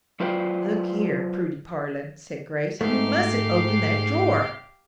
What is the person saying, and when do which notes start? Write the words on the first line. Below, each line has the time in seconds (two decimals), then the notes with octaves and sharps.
"Look here, Prudy Parlin," said Grace, "you mustn't open that drawer."
0.20 F#3 F4 B4 C5 D5 G5
2.81 G#2 A3 G4 F5